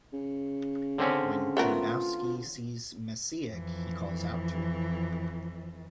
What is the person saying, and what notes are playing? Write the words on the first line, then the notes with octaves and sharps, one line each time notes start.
When Drewnowski sees Maciek, he calls out to him.
C#3
D3 C4 C#4
A3 B3 F4 A#4
F2 E3